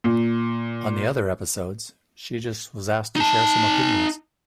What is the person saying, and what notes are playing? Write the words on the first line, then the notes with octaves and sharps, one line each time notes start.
On the other episodes she just was asked to share some opinions.
A#2
D#4 A5